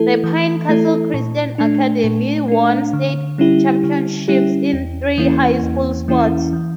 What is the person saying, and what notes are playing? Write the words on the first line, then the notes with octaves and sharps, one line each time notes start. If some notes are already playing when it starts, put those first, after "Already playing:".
The Pine Castle Christian Academy won state championships in three high school sports.
Already playing: E3 A3 E4 A4
E3
A3 E4 A4
A#2
A3 D4
A#2
A3 D4
D3
G3 C#4 E4 G4
D3
G3 C#4 E4 G4
E2
E3 A#3 C#4 E4
E2
E3 A#3 C#4 E4
E3